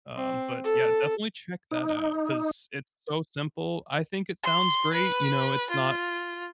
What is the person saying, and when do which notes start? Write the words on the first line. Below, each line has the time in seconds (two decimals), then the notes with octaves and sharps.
Um, but, yeah, definitely check that out 'cause it's so simple, I think it sounds great, you know, it's not
0.16 C4
0.64 A4
1.71 D#4
4.43 C6
4.94 B4
5.70 F4